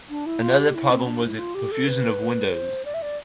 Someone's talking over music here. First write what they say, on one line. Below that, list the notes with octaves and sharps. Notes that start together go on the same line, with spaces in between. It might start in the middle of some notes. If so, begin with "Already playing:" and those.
Another problem was a profusion of windows.
D4
E4
F4
G4
E4
C4
D4
E4
F4
G4
A4
B4
C5
D5
E5
D5